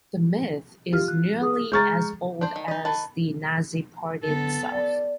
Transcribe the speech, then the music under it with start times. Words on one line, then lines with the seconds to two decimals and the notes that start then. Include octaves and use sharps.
The myth is nearly as old as the Nazi party itself.
0.93 F4 G4 F6
1.08 F#6
1.41 G#4 D#6
1.72 G#3 A#5 C#6 F6 G6 A6
2.41 D4 C5
2.56 D#3
2.68 D#4 D#5
2.85 D#3 B4 A5
4.24 D3 B3 A4
4.72 D5